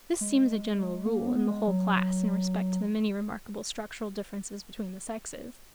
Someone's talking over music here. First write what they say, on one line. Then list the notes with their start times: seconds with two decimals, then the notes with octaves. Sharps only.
This seems a general rule in the whole class in respect to the many remarkable structural differences between the sexes.
0.21 G#3
1.05 A#3
1.27 B3
1.47 G#3
1.67 F#3